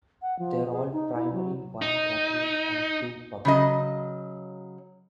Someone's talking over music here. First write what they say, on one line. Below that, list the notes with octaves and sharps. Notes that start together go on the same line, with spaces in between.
They are all primary, one catholic and two public.
F#5
F3
G#4
D#4
E4
F#3
D#4
C#3 F#3 D#5